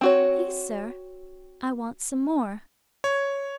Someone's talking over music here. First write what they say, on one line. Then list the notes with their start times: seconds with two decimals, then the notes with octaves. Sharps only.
'Please, sir, I want some more.'
0.01 C4 F#4 C#5
3.04 C#5